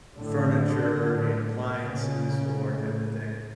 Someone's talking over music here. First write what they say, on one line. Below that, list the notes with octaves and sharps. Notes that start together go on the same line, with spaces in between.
furniture and appliances or type of thing,
A2 D3
A2
A#2 C#3
A2